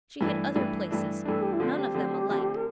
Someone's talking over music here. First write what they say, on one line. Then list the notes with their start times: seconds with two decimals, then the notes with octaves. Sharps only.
She had other places, none of them alike.
0.21 G2 E3 A3 D4
0.56 G2 E3 A3 D4
0.91 G2 E3 A3 D4
1.25 G2 E3 A3 D4 A4
1.42 G4
1.53 E4
1.59 D3 F3 A3 C4 F4
1.78 G4
1.94 D3 F3 A3 C4
2.30 D3 F3 A3 C4
2.56 A#4